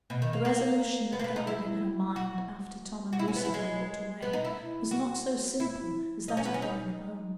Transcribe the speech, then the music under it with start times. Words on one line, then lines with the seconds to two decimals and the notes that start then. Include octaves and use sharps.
The resolution that gathered in her mind, after Tom and Lucy had walked away, was not so simple as that of going home.
0.10 B2
0.22 D#3
0.33 A#3
0.45 A#3
1.13 B3
1.19 A#3
1.24 B3
1.36 D#4
1.47 E4
2.16 F#4
3.13 F#4
3.19 E4
3.28 C#4
3.36 B3
3.45 E4
3.54 G#3
4.22 B3
4.33 D#4
4.45 E4
4.91 F#4
5.60 E4
6.28 D#4
6.37 C#4
6.45 B3
6.54 C#4
6.62 D#4